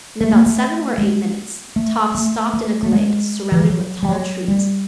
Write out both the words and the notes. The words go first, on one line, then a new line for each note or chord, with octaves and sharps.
In about seven or eight minutes Top stopped in a glade surrounded with tall trees.
A3
A#3
A3
G#3
A3
A3
A3
A3
G#3
E3
F3
F#3
G3
F#3
G3